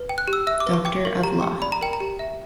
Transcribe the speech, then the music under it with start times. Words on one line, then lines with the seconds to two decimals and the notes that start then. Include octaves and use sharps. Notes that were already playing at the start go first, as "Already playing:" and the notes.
Doctor of Law.
Already playing: B4
0.09 G5
0.18 F#6
0.28 G4
0.33 E6
0.47 E5 E6
0.60 D6
0.66 B4
0.73 C#6
0.85 G5 D6
1.05 A#4 C#6
1.24 G4 A#5
1.42 G4 G5
1.62 D5 B5
1.72 A#5
1.81 A#4 G5
1.93 A#5
2.00 G4
2.19 E5